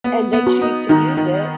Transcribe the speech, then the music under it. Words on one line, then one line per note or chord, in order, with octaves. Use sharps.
and they choose to use it,
B3
B3
F#4
D#4
D#3 D#4
D#3